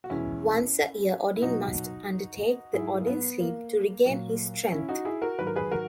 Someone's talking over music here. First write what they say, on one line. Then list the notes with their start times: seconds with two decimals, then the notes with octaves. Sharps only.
Once a year Odin must undertake the Odinsleep to regain his strength.
0.04 F#4
0.10 E2 B2 G#3 C#4 E4
1.36 E4
1.42 B2 F#3 D#4 F#4
2.74 G#2 F#3 E4 G#4
3.01 A#3
3.07 B3
3.40 A#3
4.06 A#2 F#3
4.72 C#4 E4
4.89 D#4 F#4
5.05 E4 G#4
5.22 F#4 A#4
5.39 G#2 D#3 F#3 B4
5.47 A#4
5.56 G#4 B4
5.71 F#4 A#4